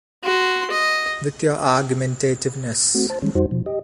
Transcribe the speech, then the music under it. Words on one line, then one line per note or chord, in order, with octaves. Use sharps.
With your argumentativeness.
F#4 C6
D#5
A3 C4 F#4
C5 A5
D#3 G3 G#3 C#4
F2 G3 D#4 F#4 C5
B2 F3
G4 D#5